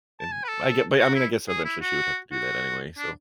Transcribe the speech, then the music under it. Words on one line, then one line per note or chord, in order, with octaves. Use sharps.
And I get but, I mean, I guess, eventually she would have to do that anyway. So
A5
G#5
B4
A4
F#4
E4
G#4
E4
F#4
F#4
D4